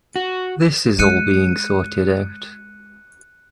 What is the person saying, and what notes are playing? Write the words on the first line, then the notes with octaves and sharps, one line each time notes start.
This is all being sorted out.
F#4
G#3 F#6 C#7 D#7